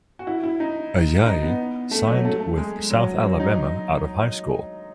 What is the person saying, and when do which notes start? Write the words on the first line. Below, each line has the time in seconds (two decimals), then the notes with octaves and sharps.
Ajayi signed with South Alabama out of high school.
0.19 F#4
0.27 E4
0.43 E4
0.60 D#4
1.26 D#4
1.42 B3
1.91 A3
2.07 F#3
2.25 A3
2.40 A3
2.57 G#3
2.91 F#3
3.23 F#3
3.40 D#4